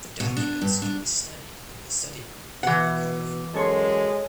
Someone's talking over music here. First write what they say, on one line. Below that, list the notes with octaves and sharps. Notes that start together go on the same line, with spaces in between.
The documents can be studied in the study room of the archive.
B2
D4
G2
D4
B2 E3 F#5
F#2 G#3 A4 C#5 C6